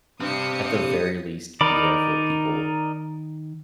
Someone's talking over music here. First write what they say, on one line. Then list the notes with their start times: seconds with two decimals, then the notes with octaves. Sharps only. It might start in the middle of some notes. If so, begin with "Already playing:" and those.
at the very least, be there for the people
0.20 G2 C4 G4 D#6 C#7
1.61 D#3 D#4 A#4 D5 B5